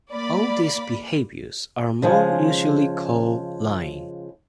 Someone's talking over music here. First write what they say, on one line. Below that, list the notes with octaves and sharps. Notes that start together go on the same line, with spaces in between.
All these behaviors are more usually called lying.
A#3 D5 B5
C#3 F3 G#3